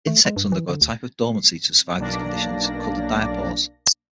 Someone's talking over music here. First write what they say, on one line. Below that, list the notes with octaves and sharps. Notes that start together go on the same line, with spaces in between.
Insects undergo a type of dormancy to survive these conditions, called diapause.
A3
G#3
G2
E3
D3
D2
B1 A#3 D4 D5 A#6